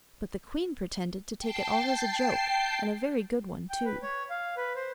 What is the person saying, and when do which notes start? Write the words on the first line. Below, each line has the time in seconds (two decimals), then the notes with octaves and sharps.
But the queen pretended to take it all as a joke, and a very good one too.
1.39 G5 A5 C7
3.70 G5
3.85 B4
4.03 C#5
4.30 F5
4.57 B4
4.76 C5